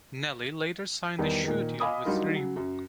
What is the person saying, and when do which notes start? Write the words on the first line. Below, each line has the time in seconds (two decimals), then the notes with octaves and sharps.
Nelly later signed a shoe deal with Reebok.
1.19 E2 D#3 G3
1.44 A#2 D#3
1.80 D#5 F5 G#5 B5 D6 D#6
2.05 F#3 G3 D4 D#4 F4 A#4
2.35 C#3 F#3
2.56 F#2